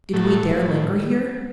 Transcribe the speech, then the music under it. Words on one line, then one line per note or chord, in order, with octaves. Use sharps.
Did we dare linger here?
A2 F#3 A3
A2